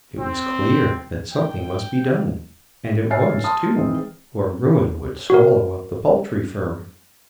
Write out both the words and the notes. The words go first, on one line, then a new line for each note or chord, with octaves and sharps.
It was clear that something must be done, and at once, too, or ruin would swallow up the poultry firm.
C4
G5
C#5 E5 G#5 F6 A6 C7
A5 C6 D#6 F6
D#3 E3 G#3 C4 C5
F#4 A#4